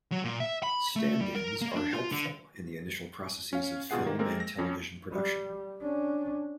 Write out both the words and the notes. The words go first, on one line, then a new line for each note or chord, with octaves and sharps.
Stand-ins are helpful in the initial processes of film and television production.
F#3
A#2
E5
B5
A3
G3
A#4
A#3
D4
F4
D3
C#4 F5
G#1 B2 F4 G#4 F#5 C7
D#3 A#3
G#3 A#3 C4 A4 A#4
A#6
F2 C#4
G3
C#4 D4